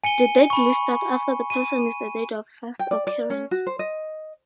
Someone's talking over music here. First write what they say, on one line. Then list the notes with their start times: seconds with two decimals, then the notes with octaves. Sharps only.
The date listed after the person is the date of first occurrence.
0.04 G#5 C#7 D#7 G7
0.50 B5 C#6
1.50 D#7
2.79 G5
2.91 D5
3.07 D5
3.30 C#4
3.51 F#4
3.67 C5
3.79 D#5